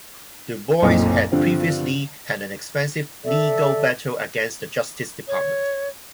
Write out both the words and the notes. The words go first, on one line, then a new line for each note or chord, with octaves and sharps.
Du Bois had previously had an expensive legal battle against the Justice Department.
F#1 B1 A#2 C4 A4 D#5
G2 D3 F3 C4
A4 D5 E5
C#5